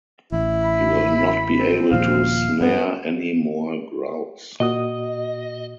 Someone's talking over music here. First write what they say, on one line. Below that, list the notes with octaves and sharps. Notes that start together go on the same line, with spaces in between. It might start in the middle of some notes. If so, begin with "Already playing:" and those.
He will not be able to snare any more grouse.
A1 E4
B5
C4
D#1 A#2 F3 F5
G2 B3
A#2 F#4 D#5 D#6